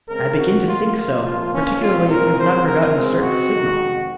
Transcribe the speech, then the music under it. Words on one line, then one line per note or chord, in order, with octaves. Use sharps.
"I begin to think so, particularly if you have not forgotten a certain signal."
C#3 G#3 C4 A#4
F#4
F#2 F3 A#3 F4
F4
C3 F3 A#3 F4
C#4
A#2 G#3 C4 F4
A#4
C#3 F3 C4 C5
A#4
C#3 G#3 C4
F#4
F2 C3 D#3 G#3